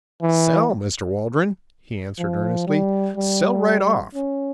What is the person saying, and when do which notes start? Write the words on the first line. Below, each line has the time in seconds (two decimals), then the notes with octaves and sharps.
'Sell, Mr. Waldron,' he answered earnestly, 'sell right off.
0.22 E3
2.18 F3
2.67 G3
3.17 G3
4.15 C#4